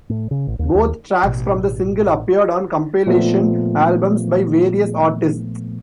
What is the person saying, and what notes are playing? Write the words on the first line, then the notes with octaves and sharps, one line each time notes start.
Both tracks from the single appeared on compilation albums by various artists.
A2
C#3
A1
D#2
D#2
A1 B2
A#2 F3 A3 B3